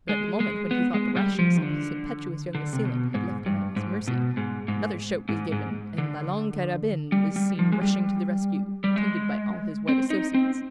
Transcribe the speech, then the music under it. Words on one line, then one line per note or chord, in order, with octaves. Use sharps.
But at the moment when he thought the rashness of his impetuous young assailant had left him at his mercy, another shout was given, and La Longue Carabine was seen rushing to the rescue, attended by all his white associates.
G#3
G#3
B3
G#3
G3
F3
D#3
D3
D3
C3
B2
G#2
G2
G#2
B2
G#2
G#2
G#2
G#2
D3
G3
G3
F3
G#3
G3
G3
G#3
C4
D#4
C4